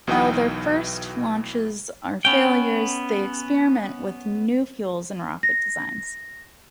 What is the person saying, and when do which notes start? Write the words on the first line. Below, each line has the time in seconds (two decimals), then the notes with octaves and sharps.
While their first launches are failures, they experiment with new fuels and rocket designs.
0.07 B1 B2 E3 D#4 G5 D#6
2.25 B3 C#4 G5
5.43 A#6